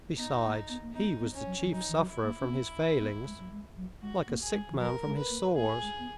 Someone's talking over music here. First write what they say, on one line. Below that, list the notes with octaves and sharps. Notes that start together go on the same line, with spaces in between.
Besides, he was the chief sufferer from his failings, like a sick man from his sores.
B3 D#4
A#3
B3
A#3
B3 D#4
B3
C#4
F#3
E3
F#3 D#4
E3
F#3
E4
A#3
C#4
B3
B3
G#3
F#3
G#3
F#3
G#3 F#4
A#3
G#4
G#3
E3
F#3 A#4
G#3
B4
A#3
A#3 G#4
G#3
B3